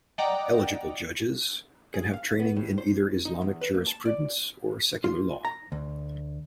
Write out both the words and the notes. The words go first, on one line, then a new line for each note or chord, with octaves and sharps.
Eligible judges can have training in either Islamic jurisprudence or secular law.
D5 D#5 F#5 G5 A#5 D6
G#4
F5
B3
A2
C5
D#4
E2
B4
A#3
A5
D5
F4
A#5
D2